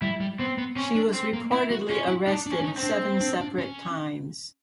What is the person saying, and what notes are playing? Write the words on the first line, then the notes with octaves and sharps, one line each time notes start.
She was reportedly arrested seven separate times.
G3 E4
G3
B3 C4
B3
C4 C#4
D4
C4
A#3
C4 E4
F#4
C#4 F4
E4
D4 D#4
D4
C#4
D4
D#4
C4
D4
D4
D4
C#4